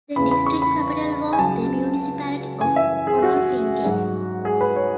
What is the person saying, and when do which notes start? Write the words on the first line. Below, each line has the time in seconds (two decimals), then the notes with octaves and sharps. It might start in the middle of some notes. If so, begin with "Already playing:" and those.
The district capital was the municipality of Konolfingen.
0.16 E2 C#3 E3 B5
0.31 B5
0.46 C#6
0.62 B5
1.33 G#5
1.38 C#2 C#3 F#3 A5
2.61 F#2 E3 G#5
2.76 E5
3.07 G#4
3.22 F#4
3.84 G#2 F#3
4.45 G#4
4.61 B4
4.76 C#5